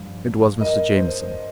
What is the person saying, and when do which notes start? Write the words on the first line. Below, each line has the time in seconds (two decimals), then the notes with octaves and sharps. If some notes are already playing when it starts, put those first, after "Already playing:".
It was Mr. Jamieson.
Already playing: G2 F3
0.61 A#4 D#5
0.97 C5